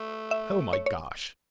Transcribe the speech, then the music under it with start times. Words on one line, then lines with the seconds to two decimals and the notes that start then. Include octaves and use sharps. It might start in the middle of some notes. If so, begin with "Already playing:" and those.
"Oh, my gosh!"
Already playing: A3
0.31 E5
0.73 C#5
0.86 C#5